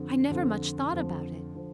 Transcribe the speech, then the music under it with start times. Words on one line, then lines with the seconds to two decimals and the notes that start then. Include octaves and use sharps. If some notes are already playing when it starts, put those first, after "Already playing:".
I never much thought about it.
Already playing: F2 D3 F3
0.30 F2 D3 F3
0.92 F2 D3 F3
1.54 D3 F3